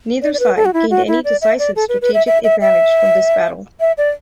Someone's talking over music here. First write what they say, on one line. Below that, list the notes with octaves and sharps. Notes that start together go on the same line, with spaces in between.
Neither side gained any decisive strategic advantage from this battle.
D5
D5
B4
A4
F#4
E4
F#4
E4
D5
E5
D5
A4
B4
B4
E5
E5
E5
E5
E5
D5